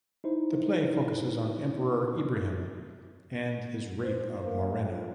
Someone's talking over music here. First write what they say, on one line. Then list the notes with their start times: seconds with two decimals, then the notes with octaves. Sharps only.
The play focuses on Emperor Ibrahim and his rape of Morena.
0.24 D#4 E4 C5
4.04 C5
4.43 A#3
4.81 F2